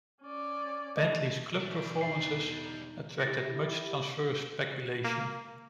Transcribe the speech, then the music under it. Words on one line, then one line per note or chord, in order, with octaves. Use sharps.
Bentley's club performances attracted much transfer speculation.
C#4 D5
G3 A3 D#5
B1 E3 G3 D4
E2 B2 D#4 C7
E4 G4 A6 A#6
A#3